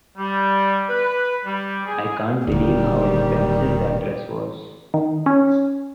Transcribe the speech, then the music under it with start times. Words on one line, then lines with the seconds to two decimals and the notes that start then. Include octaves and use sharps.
I can't believe how expensive that dress was.
0.18 G3
0.89 B4
1.45 G3
1.86 G#4
2.47 D#1 D#2 D3 D#3 G3
4.94 D#3
5.26 C#4